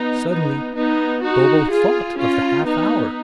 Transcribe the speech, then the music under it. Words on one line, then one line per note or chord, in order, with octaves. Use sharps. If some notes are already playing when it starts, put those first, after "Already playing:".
Suddenly Bobo thought of the half-hour.
Already playing: B3 D#4
B3 D#4
B3 D#4
D#4 F#4
F4 G#4
C#4 F4
B3 D#4